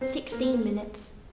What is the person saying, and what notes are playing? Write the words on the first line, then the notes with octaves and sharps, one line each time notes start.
Sixteen minutes.
C4 C5
A#3 A#4
C4
A#3